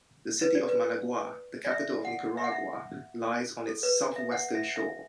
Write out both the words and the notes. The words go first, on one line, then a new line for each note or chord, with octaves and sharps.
The city of Managua, the capital of Nicaragua, lies on its southwestern shore.
B4
D5
B4
D5
E5
F#5
E5
F#5
E5
A4
B4
E5
F#5
E5
E5